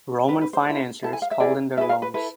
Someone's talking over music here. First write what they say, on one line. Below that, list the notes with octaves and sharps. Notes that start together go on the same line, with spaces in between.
Roman financiers called in their loans.
D4 A4 B4
B4
C5
E4 A4
E4 A4 A5
G#5
F5
E5
E4 G#4 B4 D5
E4 G#4 B4 E5
F5
B4
E4 A4 B4